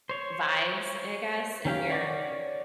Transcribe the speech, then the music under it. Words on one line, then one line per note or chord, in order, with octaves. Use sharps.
vibes, I guess, in your
C5 C#5
D#3 C#4 G4 F5
C#5 D5 F#5 C#6 D6